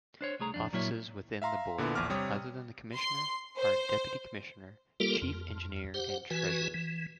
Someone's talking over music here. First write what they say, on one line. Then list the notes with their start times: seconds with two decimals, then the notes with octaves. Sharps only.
Offices within the board, other than Commissioner, are Deputy Commissioner; Chief Engineer and Treasurer.
0.21 D4 C5 C#5
0.40 C2 A3 G#4 A#5
0.54 F2 D4
0.73 A#2 F#3 A#3 E4 C#5
1.42 E5 F5 A#5 C6
1.78 A#2 D3 B3 E4
1.95 A#1 E2 D6 F6
2.10 C3 G3 C#5 D#6
2.94 C6
3.57 C5
5.00 G3 A#3 F4 G4 A4 A#4
5.22 F2
5.94 G4 C5 F#5
6.30 E3 F#4 B4 G#5
6.74 E3